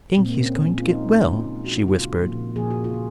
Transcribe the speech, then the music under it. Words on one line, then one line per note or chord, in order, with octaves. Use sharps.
"I think he's going to get well," she whispered.
A#2 G#3 C4
A#3
C4
C#4
A#2 G#3
F4
C#3 F3 G#3 D#4
C#3 F3 G#3 C#4
C#3 G#3
F#4
F4
C#3 G#3 F4
A#2 F3 A#3
A#2 F3 A#3 G#4
F#4
F4
C#3 F3 A#3